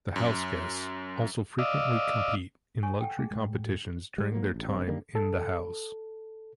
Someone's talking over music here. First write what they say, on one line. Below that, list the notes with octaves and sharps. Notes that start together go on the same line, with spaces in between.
The HouseGuests also frequently compete in luxury competitions during their time in the house.
F#2
D5 D#5 F5 E6
C#5 G#5 C#6
A4 F#5 G5
A3 G#4
A2 G#3
G3
F#3 A#3
A1
F1 G2 C4
D3 D#3 G3 A#3
A4